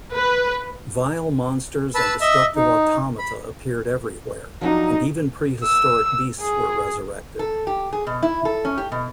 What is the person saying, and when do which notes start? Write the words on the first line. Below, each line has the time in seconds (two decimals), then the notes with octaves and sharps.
Vile monsters and destructive automata appeared everywhere, and even prehistoric beasts were resurrected.
0.13 B4
1.95 B4 A5 B5 E6
2.21 D#5 E5 E6
2.55 D#4
3.19 B5
4.61 F3 F#3 D4 D#4
5.63 E6
6.40 G#4
7.39 A4
7.67 G4
7.93 G#4
8.07 B2
8.23 E4
8.45 A4
8.65 C#4
8.78 G4
8.92 B2